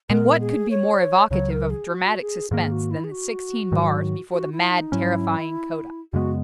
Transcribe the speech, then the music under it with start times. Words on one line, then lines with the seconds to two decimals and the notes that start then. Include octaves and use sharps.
And what could be more evocative of dramatic suspense than the sixteen bars before the mad, terrifying coda!
0.10 A#2 G#3 B3 A#4
0.40 G#4
0.71 C#5
1.31 C#2 C#3 F#3 C#5
1.50 A#4
1.70 G#4
1.90 F#4
2.21 G#4
2.51 G#2 D#3 A#3 G#4
2.72 F#4
2.91 E4
3.04 G#4
3.11 F#4
3.72 G#2 D#3 F#3
4.32 F#4
4.52 E4
4.72 D#4
4.92 G#2 F#3 C#4 E4
6.13 F#2 C#3 G#3 B3 F#4